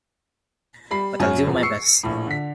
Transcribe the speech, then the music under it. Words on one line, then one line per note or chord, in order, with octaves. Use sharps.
But I’ll do my best.
G3 B5 C7
F#2 C#5 F6
D#1 E2 F3
C#6 E6 C7 C#7
A#1 A2
D3 B6